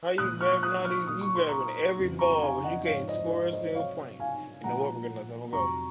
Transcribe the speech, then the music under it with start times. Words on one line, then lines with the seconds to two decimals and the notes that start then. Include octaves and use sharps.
how are you grabbing all the you're grabbing every ball, but you can't score a single point. You know what? We're gonna let that one go.
0.18 A#2 F3 G#3 D#6 F#6
0.41 C#6 F6
0.63 D#6 F#6
0.85 C#6 F6
1.07 A#2 F#3 D#6
1.21 C#6
1.35 C6
1.49 A#5 C#6
1.97 F2 C#3 F#3
2.19 A#5 C#6
2.41 F5 G#5
2.63 D#5 F#5
2.85 G#2 F3 G#3 C#5 F5
3.08 C5 D#5
3.30 C5 D#5
3.52 C5 D#5
3.74 C3 F#3 C#5 F5
4.20 F5 G#5
4.63 A#2 F3 G#3 F#5 A#5
5.53 F2 C3 F#3 A#5 C#6